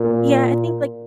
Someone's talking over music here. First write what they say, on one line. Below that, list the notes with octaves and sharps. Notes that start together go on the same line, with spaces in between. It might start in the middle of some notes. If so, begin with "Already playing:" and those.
Yeah, I think, like,
Already playing: A#2